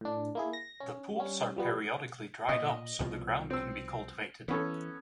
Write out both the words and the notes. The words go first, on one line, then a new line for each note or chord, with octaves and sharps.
The pools are periodically dried up so the ground can be cultivated.
A2 D4
A#3 E4 G#4
A#6
C#4
G3 C#4
F3 G3 B3
A#2 D#5
C2 B2 F3
C4 E6
E3 B3 C#4 A4